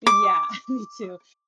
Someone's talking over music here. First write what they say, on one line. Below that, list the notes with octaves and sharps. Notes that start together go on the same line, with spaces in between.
Yeah, me too
D6